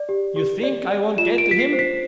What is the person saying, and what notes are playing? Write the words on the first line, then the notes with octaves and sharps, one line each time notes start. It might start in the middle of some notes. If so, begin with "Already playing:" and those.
You think I won't get to him?
Already playing: D5
G4
G4
D5
D5
F4 E7
D7
F4
B6
C7
C5
B6